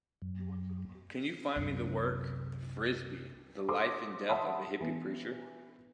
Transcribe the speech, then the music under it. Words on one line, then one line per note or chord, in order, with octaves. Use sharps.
Can you find me the work, Frisbee: The Life and Death of a Hippie Preacher?
F#2
C2 F#2 C3
A4 C5 C6 D6 D#6
E5 F#5 A5 B5 C6 D#6
E3 B3